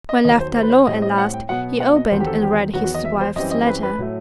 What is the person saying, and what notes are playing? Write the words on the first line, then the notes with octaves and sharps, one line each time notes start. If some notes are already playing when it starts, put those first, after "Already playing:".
When left alone at last he opened and read his wife's letter.
D#5
D#2 D#3 F#3 D#5
C5
C5
B4
C5
A2 G3 C4 D#5
D#5
F#5
G5
B2 F#3 B3 F#5
F#5
D#5
E2 D#3 F#3 C4 C5
G4
A4
G4
E2 D#3 F#3 B3 F#4
F#4
D#5
E5
C5
F#2 E3 G3 C4 D#5
D#5
B4
B4
A2 F#3 A3